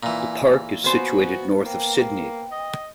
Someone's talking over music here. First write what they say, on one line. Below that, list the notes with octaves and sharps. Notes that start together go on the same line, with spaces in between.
The park is situated north of Sydney.
A#2 E3 G#5
B3 F#4 C5 G#5
A#3 G5
G5
D#5